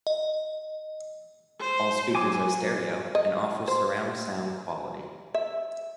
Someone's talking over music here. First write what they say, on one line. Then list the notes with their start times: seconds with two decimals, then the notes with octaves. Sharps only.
All speakers are stereo and offer surround sound quality.
0.07 D#5
1.60 C5
2.15 F#3 G#5 D6
3.15 D#5
3.68 C5
5.34 E5